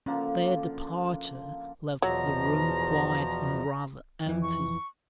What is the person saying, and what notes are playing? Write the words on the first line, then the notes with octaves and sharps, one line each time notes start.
Their departure left the room quiet and rather empty.
D3 F3 A#3 C#4
E2 B2 F3 F#3 A#5
F2 E3
C#6